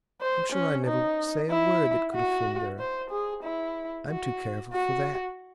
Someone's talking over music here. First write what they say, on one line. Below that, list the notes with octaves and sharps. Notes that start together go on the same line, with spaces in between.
I'm sure I never say a word that could offend her; I'm too careful for that.
C5
C#4
D#4
E4
F#4
C5
G#4
E4
F#4
F#4